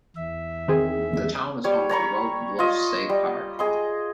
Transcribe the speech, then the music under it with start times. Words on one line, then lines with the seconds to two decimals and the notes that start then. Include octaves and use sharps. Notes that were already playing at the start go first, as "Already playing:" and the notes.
The town is home to Roque Bluffs State Park.
0.16 E2 E5
0.68 D#3 C4 G#4
1.64 G3 C#5
1.89 C#5 A#5 B5 C#6
2.59 F4 D#5
3.09 G3
3.59 G#4 D#5 C6